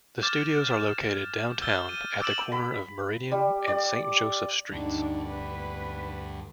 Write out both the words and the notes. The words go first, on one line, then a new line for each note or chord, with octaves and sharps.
The studios are located downtown at the corner of Meridian and Saint Joseph Streets.
D6 F6 G6 A6 E7
E6 F6 G6 A6 G7
D#7
D6 E6 A6 D7 E7 F#7
B5
G3
D5
D2 G2 D4 D#4
B4